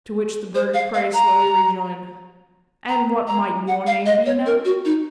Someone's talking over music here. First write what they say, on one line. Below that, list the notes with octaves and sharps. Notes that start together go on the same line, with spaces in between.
To which the bird of prey slowly rejoined, 'And what might YOUR name be, now?'
C5
F5
F5
A#5
A#5
A#5
F#5
F5
D#5
C#5
A#4
F#4
D#4